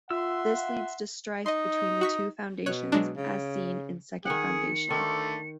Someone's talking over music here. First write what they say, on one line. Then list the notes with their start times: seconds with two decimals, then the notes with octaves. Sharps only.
This leads to strife between the two Foundations, as seen in Second Foundation.
0.11 F4 E5 F#5 C6 E6
1.46 D#4 D#5 C6
2.01 F#4 C#6 B6
2.66 B2 C#5 F#6
2.92 F#3 G#3 D4
3.17 C#3
4.25 D#3 G#4 F#5 C#7
4.91 D3 D#3 A3 A5